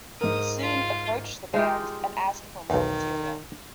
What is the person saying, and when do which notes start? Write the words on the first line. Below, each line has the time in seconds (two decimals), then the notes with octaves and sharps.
He soon approached the band and asked for more material.
0.21 G#2 A#4 D#6
0.59 F4
1.54 G#3 D#4 F4 G4
2.70 B1 E2 D#3